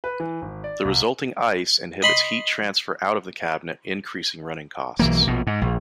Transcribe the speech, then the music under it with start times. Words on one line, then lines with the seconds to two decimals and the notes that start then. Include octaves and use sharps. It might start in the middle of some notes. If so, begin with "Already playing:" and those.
The resulting ice inhibits heat transfer out of the cabinet increasing running costs.
0.04 B4
0.20 E3
0.42 G#1
0.64 D5
0.85 C2
2.02 D#5 B5 C6
4.99 B1 E3 A#3
5.27 A#1 B2
5.47 G#2
5.61 A#1